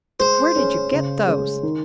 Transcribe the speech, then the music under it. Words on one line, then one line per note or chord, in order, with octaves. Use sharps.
Where did you get those?
G#3 C5
C#4 G#4
C#3
G#3 C#4
D#3